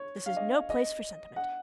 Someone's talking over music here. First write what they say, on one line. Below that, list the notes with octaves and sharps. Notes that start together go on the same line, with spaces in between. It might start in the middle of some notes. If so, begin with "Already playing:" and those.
This is no place for sentiment.
Already playing: C#5
F5
D#5
D#5
F#5